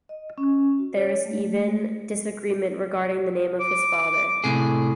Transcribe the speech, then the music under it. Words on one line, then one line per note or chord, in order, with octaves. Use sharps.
There is even disagreement regarding the name of his father.
D#5
C#4
F#4
C#5
A3
D6
A2 C3 G#4